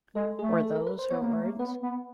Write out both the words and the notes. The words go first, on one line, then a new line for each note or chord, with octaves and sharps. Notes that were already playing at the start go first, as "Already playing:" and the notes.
Were those her words?
G#3 A4
A3 G#4
A4
A#4
B4
C5
B3 C#5
A#3
A3
A#3
B3 B4
B3